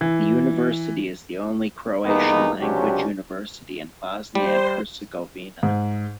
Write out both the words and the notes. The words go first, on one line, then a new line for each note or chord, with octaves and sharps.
The University is the only Croatian language university in Bosnia and Herzegovina.
E3
G2 E3 G#3 A#3 B3 D#4
C#2 C3 F#3 C#4 D4 G4
G3 C5
G#2